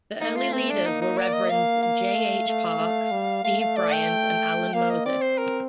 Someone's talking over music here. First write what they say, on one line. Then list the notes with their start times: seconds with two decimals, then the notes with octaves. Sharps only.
The early leaders were Reverends J. H. Parks, Steve Bryant and Allen Moses.
0.21 A3 D#4
0.36 F4
0.53 C4
0.70 D4
0.85 A#3 D#4
1.02 D#4
1.18 D5
1.33 D#5
1.50 A#3 F5
1.83 F5
2.15 A3
2.48 A3
2.79 A3
3.11 G3
3.44 A3 F5
3.61 F5
3.77 D5
3.93 G5
4.73 A#3 F5
4.90 D#5
5.06 C4 D5
5.22 C5
5.38 A#4